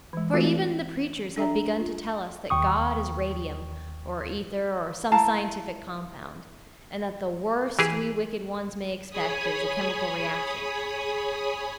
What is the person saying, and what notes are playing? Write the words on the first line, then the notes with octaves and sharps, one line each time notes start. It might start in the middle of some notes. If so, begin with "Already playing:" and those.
For, even the preachers have begun to tell us that God is radium, or ether or some scientific compound, and that the worst we wicked ones may expect is a chemical reaction.
E3 G#3
E3 A3 C4 F4 F#4 A4
D4 A4 E5 A#5
F4
D#2 G5 C#6 D#6
E4 F5 A5 A#5
E3 G4 G#4
G#4 C#5 G#5 B5 D#6